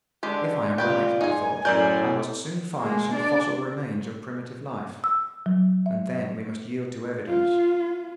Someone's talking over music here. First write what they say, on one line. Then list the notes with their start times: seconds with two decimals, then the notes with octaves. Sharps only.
If I am right, I thought, I must soon find some fossil remains of primitive life; and then we must yield to evidence.
0.23 D3 G#3 G4
0.78 G3 F4 B4 D5 G5
1.21 D#4 G#4 G#5
1.65 F#2 A2 A#4 D5 G6
2.80 G#3 A#3
3.13 D4 D5
5.04 E6
5.46 F#3
5.86 E5
7.28 F4